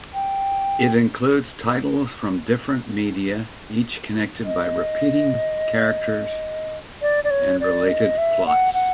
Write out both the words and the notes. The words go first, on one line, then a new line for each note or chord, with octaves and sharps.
It includes titles from different media, each connected by repeating characters and related plots.
G5
D#5
D5
D5
C#5
D5
D#5
E5
F#5
F#5